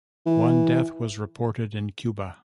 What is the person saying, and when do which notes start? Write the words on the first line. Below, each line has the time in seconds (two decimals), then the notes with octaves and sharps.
One death was reported in Cuba.
0.26 E3